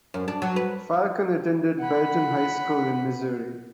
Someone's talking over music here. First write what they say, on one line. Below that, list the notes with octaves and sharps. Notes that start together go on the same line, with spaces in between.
Falcon attended Belton High School in Missouri.
F#2
D4
F#3
B4
F#5 B5